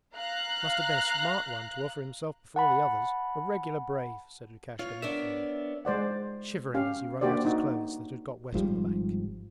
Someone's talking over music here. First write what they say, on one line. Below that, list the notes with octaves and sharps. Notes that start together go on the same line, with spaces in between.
'Must have been a smart one to offer himself before the others; a regular brave!' said Lukashka mockingly, shivering as he wrung out his clothes that had got wet on the bank.
F5 A#5 F#6
F#5 A5 B5
F4 C#5
B3 D4 A#4 C#5 D5 E5
G#3 C5 D5 F#5
C#4 G4 F5
A#3 D4 F#4 G4 C5 D5
D#4 F#4
G#1 G#2 F3 G3